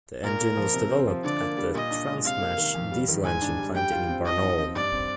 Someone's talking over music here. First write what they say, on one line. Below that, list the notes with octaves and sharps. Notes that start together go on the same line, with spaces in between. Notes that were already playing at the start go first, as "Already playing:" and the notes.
The engine was developed at the Transmash Diesel Engine Plant in Barnaul.
A#2 A#4
A#3
F3
C3
C4
F3
D3 D5
A#3
G3
A#2 D#5
D4
G#3
C3 F5
A#3
D#3
F2
G3
D#3
G#2 G#5
D4
G3
G3 G5
F4
C4
F3 D#5
D#4
C4
G2 D5
C4